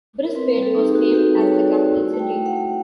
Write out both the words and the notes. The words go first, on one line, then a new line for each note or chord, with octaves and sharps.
Brisbane was named as the capital city.
A#4
C4 B4
G3
A4
D#4
G4
G#4
F#4
F#4 G4
G3
C#5
F#4
D5
F#4
E4
A3
G5
A3
F#5
A3